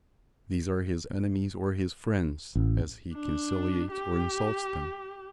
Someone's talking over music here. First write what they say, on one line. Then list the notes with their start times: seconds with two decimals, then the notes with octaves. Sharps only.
These are his enemies or his friends, as he conciliates or insults them.
2.55 A1
3.13 D4
3.92 G4